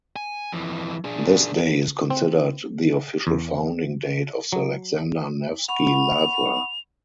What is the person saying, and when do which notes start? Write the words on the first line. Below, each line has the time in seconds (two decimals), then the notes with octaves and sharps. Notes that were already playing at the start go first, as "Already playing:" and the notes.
This day is considered the official founding date of the Alexander Nevsky Lavra.
0.16 G#5
0.52 F2 E3
1.04 D4 G#4
2.10 C4
3.27 E2
4.52 F#3
5.68 F#5 B5 C#6 F7